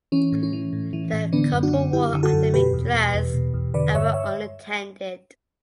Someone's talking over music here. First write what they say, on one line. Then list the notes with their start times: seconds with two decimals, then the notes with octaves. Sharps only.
The couple wore academic dress and were unattended.
0.12 E3 C#4
0.32 A2
0.43 C#4
0.53 E3
0.73 A2
0.93 E3
1.13 A2
1.32 D3 B3 D4
1.53 F#2
1.63 D4 F#4
1.73 D3
1.93 F#2 E4 G4
2.14 D3
2.23 F#4 A4
2.33 F#2
2.54 B2 G4 B4
2.73 E2
2.94 B2
3.14 E2
3.34 B2
3.54 E2
3.74 D3 B4 D5
3.94 G2 C#5 E5
4.14 C#5 E5